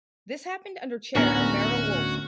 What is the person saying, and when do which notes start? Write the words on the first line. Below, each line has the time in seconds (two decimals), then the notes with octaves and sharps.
This happened under chair Merrill Wolfe.
1.15 D2 A2 B3 C#4 D4 F#4 A#4